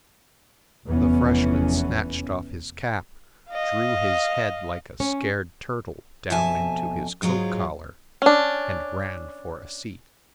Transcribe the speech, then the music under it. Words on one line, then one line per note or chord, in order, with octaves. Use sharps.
The freshman snatched off his cap, drew his head like a scared turtle down into his coat collar, and ran for a seat.
F1 E2 E3 B3 C#4
D#5 F5
C#4
F2 B2 E5 G#5 A5
G#2 F#3 G#3 F4
C#4 D4